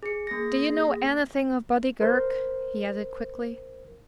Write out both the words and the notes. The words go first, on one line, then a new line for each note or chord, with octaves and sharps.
"Do you know anything of Buddy Girk?" he added quickly.
G#4 C#7
A#3 G#4 A#6
A#4 C5